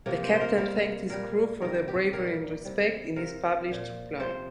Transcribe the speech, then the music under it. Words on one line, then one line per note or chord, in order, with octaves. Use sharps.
The captain thanked his crew for their bravery and respect in a published reply.
C3 F3 A#3
C5
C5
A#4
C3 G3 A#4
A#2 G3 A#4
C3 D#3 G3 A#4
G4
A#2 G3 A#4
C3 G3
C3 F3 A#4
A#2 F3
C3 F3 C5